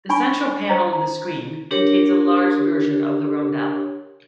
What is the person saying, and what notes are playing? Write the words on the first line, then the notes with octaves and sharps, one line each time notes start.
The central panel of the screen contains a large version of the roundel.
D4 G#5 B5 C#6
C5 A#5
A#5
D4 G4 A#4 C#5